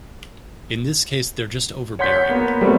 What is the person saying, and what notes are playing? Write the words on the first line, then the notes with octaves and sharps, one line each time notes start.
In this case they're just overbearing.
C#5 F#5 C6 G6 B6
A#3 B3
G3 A3 B3 C4